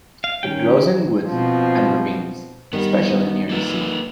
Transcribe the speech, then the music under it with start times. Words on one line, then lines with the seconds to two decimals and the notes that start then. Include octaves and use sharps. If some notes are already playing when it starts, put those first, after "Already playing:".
It grows in woods and ravines, especially near the sea.
0.24 F5
0.43 D#3 C#4 G5
1.26 B2 F3 C4
2.73 D#3 G3 B3
3.49 A#3 A4 B4